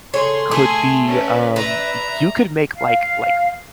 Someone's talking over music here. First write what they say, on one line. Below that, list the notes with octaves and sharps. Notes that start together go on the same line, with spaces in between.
could be, um, y you could make like like,
C#3 G#4 A4 C#5 C6
A3 G#4 G#5
C#4 A#4 B4 D5
B4 D5 E5 A#5
F5